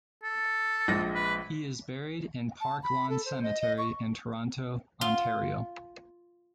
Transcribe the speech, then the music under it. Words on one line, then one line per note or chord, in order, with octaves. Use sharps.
He is buried in Park Lawn cemetery in Toronto, Ontario.
A4
A#1 G#3 A#6
B4
A5
B5
A4
C5
D#5
D#5
C#6
F4